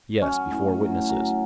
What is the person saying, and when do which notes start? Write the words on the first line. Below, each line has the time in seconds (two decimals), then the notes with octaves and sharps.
"Yes, before witnesses."
0.20 F#3 C#4
0.50 A2
0.80 F#3
1.09 F#3